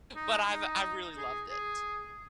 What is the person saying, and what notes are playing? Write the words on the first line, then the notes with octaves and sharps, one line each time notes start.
but I've I've really loved it.
D#4
D#4
G#4
G#4